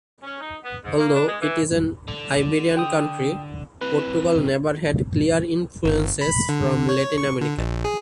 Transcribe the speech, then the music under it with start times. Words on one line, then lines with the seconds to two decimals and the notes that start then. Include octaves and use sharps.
Although it is an Iberian country, Portugal never had clear influences from Latin America.
0.23 C#4
0.40 D#4
0.63 B3
0.83 G#2
0.98 A#3
1.15 D4
1.27 G#3
1.41 E3
2.08 D3
2.77 G5 D#6
3.81 C3 E3 B4
5.84 G1
6.21 B5
6.49 D3
6.89 C#5
7.18 C#6
7.41 D3
7.58 A#1
7.85 G#4